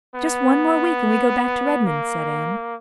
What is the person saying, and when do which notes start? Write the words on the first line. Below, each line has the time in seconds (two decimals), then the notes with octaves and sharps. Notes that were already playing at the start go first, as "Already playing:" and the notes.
"Just one more week and we go back to Redmond," said Anne.
0.16 B3
1.86 A#3